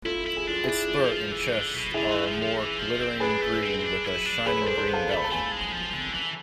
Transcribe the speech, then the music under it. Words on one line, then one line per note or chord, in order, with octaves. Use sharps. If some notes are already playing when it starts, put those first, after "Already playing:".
Its throat and chest are a more glittering green with a shining green belly.
E4 F4 A4
E4
G#4
D4 F4
D4 E4 G#4
F3
E3
D3
B2
D3 E4 G#4
E3
F3
F3
E3
F3
C4
D4 G#4 B4
A3
C4
D4
E4
D4
E4 G#4 B4
A4 C5
D4
A4 C5
B3
F5 A5
A3
B5
A5
A3 G#5 B5
G#3
F3
D3
E3